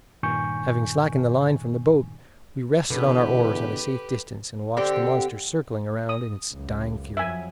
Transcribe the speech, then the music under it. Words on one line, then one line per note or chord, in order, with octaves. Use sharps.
Having slackened the line from the boat, we rested on our oars at a safe distance and watched the monster circling around in its dying fury.
G2 A#2 D#3 G#5 C#6 G6
E2 B2 D3 G4 B4
D3 C4 G4
D#6
C#2 F#2
F2 F#3 E5 G#5